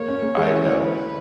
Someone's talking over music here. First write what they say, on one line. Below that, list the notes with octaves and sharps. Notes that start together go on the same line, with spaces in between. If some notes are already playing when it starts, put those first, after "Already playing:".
I know.
Already playing: A#3 C#5
C#4
A#3
G#3
E3
B4